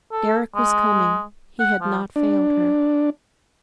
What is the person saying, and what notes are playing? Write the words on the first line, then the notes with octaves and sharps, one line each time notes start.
Deryck was coming. He had not failed her.
A4
G#3
F#5
F3
D4